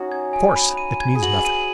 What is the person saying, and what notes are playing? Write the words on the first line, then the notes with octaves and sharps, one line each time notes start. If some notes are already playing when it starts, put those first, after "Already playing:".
'Of course, it means nothing.'
Already playing: C#4 D#4 F#4
G#6
G#5
B5
D#7
G#6
G#4
F#4 B4 F#7
D#7